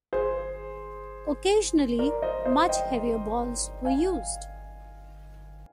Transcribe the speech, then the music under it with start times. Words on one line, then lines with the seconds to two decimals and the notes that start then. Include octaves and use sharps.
Occasionally, much heavier balls were used.
0.13 G#4 C5
1.99 A#4 D5
2.22 C5 D#5
2.45 C5 D#5
2.69 D#5 G5
3.85 F5 G#5